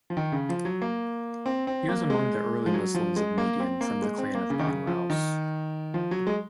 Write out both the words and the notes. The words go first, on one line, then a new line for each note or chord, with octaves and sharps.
He was among the early Muslims of Median from the clan of Banu Aws.
F3
D#3
C#3
F3
F#3
A#3
C4
C4
A#3
G#3
F3
F#3
F3
G#3
A#3
C4
A#3
G#3
C4
A#3
C#3
D#3
C#3
F3
D#3
F3
F#3
G#3